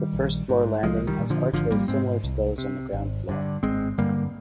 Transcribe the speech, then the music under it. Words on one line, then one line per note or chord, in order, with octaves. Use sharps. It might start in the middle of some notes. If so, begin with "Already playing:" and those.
The first floor landing has archways similar to those on the ground floor.
Already playing: D#3 G3
A#1
G#2
C2 F3 G#3
D#3 G3
A#2
D3 F3
G#1 D3 F3
G3 A#3
G#2 G#3 C4
C2
C3
G#1
G2 D3
G#1 G#3 C4
G2 D3 G3 A#3